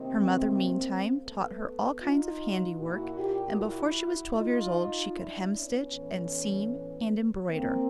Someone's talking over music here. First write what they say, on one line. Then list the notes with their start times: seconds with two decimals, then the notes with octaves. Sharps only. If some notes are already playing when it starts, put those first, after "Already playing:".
Her mother, meantime, taught her all kinds of handiwork, and before she was twelve years old she could hemstitch, and seam and embroider.
Already playing: C3 D#3 A#3 C4
1.23 A3 B3
2.01 D#4 F4
2.79 A#2 E4 F#4
3.19 F4 G4
3.57 E4 F#4
4.36 D#4 F4
5.14 D4 E4
5.54 B3 C#4
5.92 A2 E3
7.49 A#3 C4